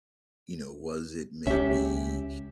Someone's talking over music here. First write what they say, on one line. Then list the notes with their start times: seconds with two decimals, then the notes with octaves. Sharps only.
You know, was it maybe,
1.47 C#2 C#4 G4 E5